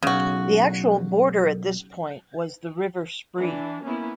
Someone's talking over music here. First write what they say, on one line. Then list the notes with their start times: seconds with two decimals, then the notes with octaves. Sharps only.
The actual border at this point was the river Spree.
0.03 B1 E2 C#3 F#4
3.37 E3 D4
3.84 A#3 B3 C#4 E4